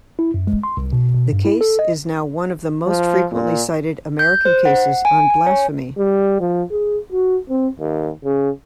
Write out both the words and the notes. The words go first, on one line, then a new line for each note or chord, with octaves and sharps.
The case is now one of the most frequently cited American cases on blasphemy.
E4
F#2
G#3
C6
C2
B2
B2
G2
E4
A4
D#5
F3
A#2
G6
C5
F#5
G#5
G#5
C#5
G3
F3
G#4
F#4
C4
D#2
C#3